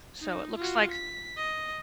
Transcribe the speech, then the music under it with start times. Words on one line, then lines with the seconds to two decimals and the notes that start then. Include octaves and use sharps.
so, it looks like
0.20 D#4
0.57 F4 F#4
0.91 B6
1.37 D#5